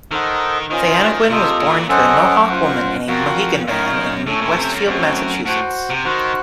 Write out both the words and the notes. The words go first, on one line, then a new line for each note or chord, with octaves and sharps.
Theyanoguin was born to a Mohawk woman and a Mohegan man in Westfield, Massachusetts.
D#3 D#4 A4 C5 D#5 F#5
D#3 C#4 F4 C5 D#5
D#3
C3 F4 A4 D#5
A#2
F#2 C#4 A4 C5 D#5 F#5
F4 C5 F#5
F2 F#4 A#4 F5
F#2 D#4 A#4 C#5 F5
A2 A3 C#4 A4 C#5
A#2
C3
F#2
F#2 A3 C4 F#4
A2 F#4 C5 F#5
C3
D#3 F#4 C5 F#5